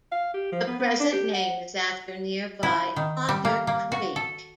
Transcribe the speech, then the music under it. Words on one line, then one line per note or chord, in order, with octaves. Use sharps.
The present name is after nearby Otter Creek.
F5
G4
F3
B3
B3
D4
G4
F#5
E4
D#3
G3
A#3
A#3
F#4
A4